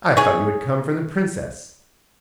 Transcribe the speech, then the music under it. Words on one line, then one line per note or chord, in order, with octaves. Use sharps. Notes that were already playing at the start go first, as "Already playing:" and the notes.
'I thought you had come from the Princess.
G#4 C#5